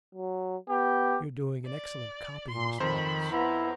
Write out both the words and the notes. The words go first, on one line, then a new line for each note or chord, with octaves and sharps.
'You're doing an excellent copy, Miss Laurence.'
F#3
B3 G4
D5
A#2 C6
F2 D#3 C5 B5
B3 E4 A#5